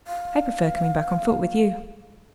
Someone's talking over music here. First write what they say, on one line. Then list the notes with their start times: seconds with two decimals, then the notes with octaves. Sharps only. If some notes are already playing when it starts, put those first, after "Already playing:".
"I prefer coming back on foot with you."
0.07 F5